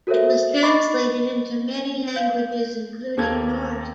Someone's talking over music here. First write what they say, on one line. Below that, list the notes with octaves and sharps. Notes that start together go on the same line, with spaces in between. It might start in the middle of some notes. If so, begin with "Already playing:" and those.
It was translated into many languages, including Norse.
F#4 A4 A#4 C5 C#5 E5
D#5 B5 C#6 D6 A6
F5 G6
D#2 A#3 A4 G#6